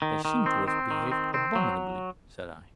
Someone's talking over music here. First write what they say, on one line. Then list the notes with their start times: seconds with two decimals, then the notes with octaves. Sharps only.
"They seem to have behaved abominably," said I.
0.02 D#3
0.25 D#3
0.46 C4
0.68 C4
0.91 D#3
1.12 C4
1.34 C4
1.56 F#3